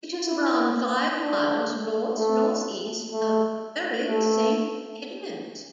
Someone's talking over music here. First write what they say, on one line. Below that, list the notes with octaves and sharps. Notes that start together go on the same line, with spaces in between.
It is around five miles north-north-east of Bury Saint Edmunds.
E4
D4
A3
A3
A3